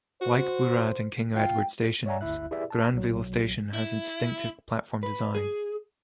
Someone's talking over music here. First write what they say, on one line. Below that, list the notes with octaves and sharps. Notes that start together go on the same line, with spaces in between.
Like Burrard and King Edward stations, Granville station has a distinctive platform design.
F#4 C5
F4 G5
C#5 D5 E5 F#5 G#5 A#5
G1 D2 E4 E5 F#6
E4 G4 G#4 B4 D5 E5
A5
B1 F#3
E4
B4
G#4